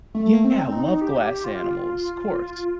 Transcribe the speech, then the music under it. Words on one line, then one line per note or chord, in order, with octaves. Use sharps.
Yeah, love Glass Animals, 'course.
A3
C4
D#4
G4
F4